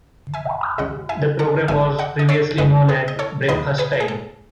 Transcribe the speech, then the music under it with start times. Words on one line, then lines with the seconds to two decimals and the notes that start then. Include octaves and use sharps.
The programme was previously known as "Breakfast Time".
0.34 E5 G#5
0.78 C#2 C#3 G#3 D#5 F#5
1.09 E5 G#5
1.39 F#5 A5
1.68 G#1 G#2 E3 E5 G#5
1.99 D#5 F#5
2.19 D#5
2.29 C#5 E5
2.58 G#1 F#2 E3 G#3 B4 D#5
2.89 G#4 B4
3.08 D#5
3.19 A4 C#5
3.48 D#2 D#3 F#3 B4 D#5
3.78 G#4 B4
4.00 G#4
4.08 A4